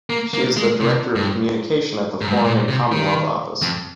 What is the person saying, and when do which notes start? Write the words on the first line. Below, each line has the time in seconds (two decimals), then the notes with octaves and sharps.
She is Director of Communication at the Foreign and Commonwealth Office.
0.10 A#3
0.34 A#3
0.57 G#3
0.81 C3
1.15 G2
2.21 G#2
2.28 G2
2.35 G#2
2.44 A#2
2.68 C3
2.92 D#3
3.62 F2